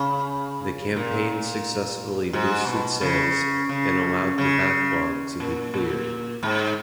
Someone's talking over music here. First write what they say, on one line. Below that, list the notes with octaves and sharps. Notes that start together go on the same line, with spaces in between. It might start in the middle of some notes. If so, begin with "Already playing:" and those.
The campaign successfully boosted sales and allowed the backlog to be cleared.
Already playing: C#3
A#2
G#2
B2
C#3
C#3
C#3
A#2
A#2
G#2